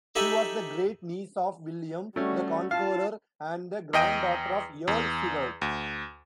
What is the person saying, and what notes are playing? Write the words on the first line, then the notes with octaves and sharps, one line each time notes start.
She was the great-niece of William the Conqueror and the granddaughter of Earl Siward.
D#4 G4 A4 E5 G#5 B5
G3 A3 C#4 F#4
F4 F5 A5
E2 D#5 G5 D#7
E2
D2